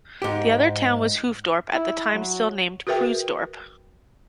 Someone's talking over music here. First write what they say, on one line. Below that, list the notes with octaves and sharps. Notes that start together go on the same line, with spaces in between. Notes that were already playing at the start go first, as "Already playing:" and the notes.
The other town was Hoofddorp, at the time still named Kruisdorp.
G#2 G4
E4
F#3
F#4 G#4 A#4 B4 E5 G5